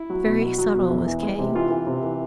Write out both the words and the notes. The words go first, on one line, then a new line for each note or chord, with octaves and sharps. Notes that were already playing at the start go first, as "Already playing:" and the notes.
Very subtle was Kay.
Already playing: E4
F#3
B2
F#3
F#3
B2
E2
E3
G#3
C3
E3 F4
E3
C3
E3